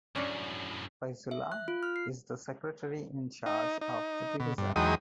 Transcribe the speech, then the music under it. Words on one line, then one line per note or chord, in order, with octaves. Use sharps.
Faizullah is the Secretary in charge of the division.
F#2 A2 C#4 D4
E5
F#6
F4
F6
C7
D#4
D#4
B2
G2
E2 F#3 G#3 D#4 G5 D#6